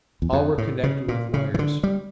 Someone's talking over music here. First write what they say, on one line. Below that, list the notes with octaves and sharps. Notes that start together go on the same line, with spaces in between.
All were connected with wires.
E2
F2
A2
C#3
A#2
C#3
E3
D3
G3